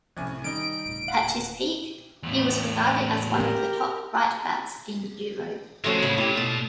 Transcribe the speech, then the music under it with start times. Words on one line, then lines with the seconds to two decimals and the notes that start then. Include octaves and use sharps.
At his peak he was regarded as one of the top right-backs in Europe.
0.17 C2 A2 F3 C#4 G#5
0.44 D#3 G3 D#4 D7
0.86 D1 A#2 C#3
1.08 F5 F#5 F#7
2.23 E2 A2
3.30 G4 A#4
5.84 F3 F#3 G#3 A3 C#4 F#4
6.02 A2 C#3 B5
6.18 A#2 E4 G4
6.37 B2 A5